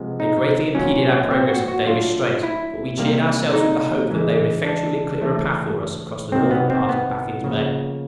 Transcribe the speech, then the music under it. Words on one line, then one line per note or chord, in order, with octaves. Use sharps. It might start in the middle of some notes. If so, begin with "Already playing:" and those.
They greatly impeded our progress up Davis' Strait, but we cheered ourselves with the hope that they would effectually clear a path for us across the northern part of Baffin's Bay.
Already playing: C3 F3 G#3 B3
D#4
A#2 F#3 A#3 C#4
C4
F#4
F#4
D3 F#3 A3 F4
E4
C3 D#3 G3 A#3
D#4
C#3 E3 G#3
D4
C#3 E3 A3
C3 D#3 F#3 C4
B3
C4
B3
C#3 F3 A#3